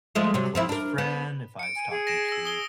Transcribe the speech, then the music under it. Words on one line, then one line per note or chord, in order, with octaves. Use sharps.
a close friend, if I was talking to
F3 G#3 A3
C3 F#3
F3 C4 E4
D4 A#4
B3
C#7 D7
G#5
G#4
A#6 D7 E7
E6 A#6
D#6 G7